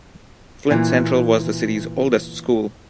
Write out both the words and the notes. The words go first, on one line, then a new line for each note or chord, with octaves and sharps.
Flint Central was the city's oldest school.
A#2 E3